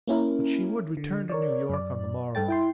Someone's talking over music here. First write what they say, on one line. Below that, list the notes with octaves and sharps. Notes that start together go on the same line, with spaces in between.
But she would return to New York on the morrow.
A#3 C#4 E4 A#4
D3
A#4 C#5 D5
F#2 D5
G2 A4 G5 A6
E4 G5 C6